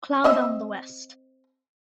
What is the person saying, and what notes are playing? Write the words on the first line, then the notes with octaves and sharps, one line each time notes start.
Cloud on the west.
C4 D#5 E5